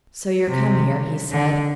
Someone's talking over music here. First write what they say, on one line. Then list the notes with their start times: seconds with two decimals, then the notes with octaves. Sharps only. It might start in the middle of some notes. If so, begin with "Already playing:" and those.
"So you're come here," he said.
0.49 C3
1.32 D3